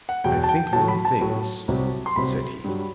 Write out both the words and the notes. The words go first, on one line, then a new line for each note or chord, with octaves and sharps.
"I think many things," said he.
F#5
E2 B2 F#3 G5
A5
G5
A2 F#3 A5
B5
A5
A2 F#3
C2 C3 F#3
C6
C2 C3 F#3 B5
G2 F#3